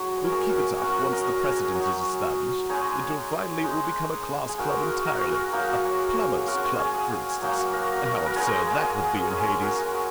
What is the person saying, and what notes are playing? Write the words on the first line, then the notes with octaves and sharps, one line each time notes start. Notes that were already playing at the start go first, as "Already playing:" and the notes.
We'll keep it up, once the precedent is established, until finally it will become a class club entirely--a Plumbers' Club, for instance--and how absurd that would be in Hades!
Already playing: F#3 D#4 G#4 D#5
C#5
A#4
G#4 C#5
F#4 A#4
F#3 C#4 F#4 A#4
A#4 D#5
A#4
G#4 C#5
F#3 D#4
G#3 D#4 G#4 C#5
G#3 D#4
G#4
G#3 D#4 F#4 A#4
F#4 A#4
F#4 A#4
F#4 A#4
F#3 A#3 D#4 F#4 A#4
G#4 C#5
G#4 C#5
G#3 C#4 F#4 A#4
G#4
F#3 A#3 D#4
F#4 A#4
F#4 A#4
A#4
G#3 D#4 G#4 C#5
G#4 C#5
G#4
G#3 C#4 G#4 C#5
F#4 A#4
G#4